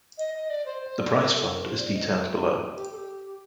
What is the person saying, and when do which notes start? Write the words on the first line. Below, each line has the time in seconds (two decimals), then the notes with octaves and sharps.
The prize fund is detailed below.
0.18 D#5
0.34 D#5
0.50 D5
0.66 C5
0.82 C5
0.99 D5
1.14 D5
1.25 A#4
1.36 A4
1.46 A#4
1.62 C5
1.78 D5
1.95 D#5
2.75 G4
2.92 A4
2.97 G4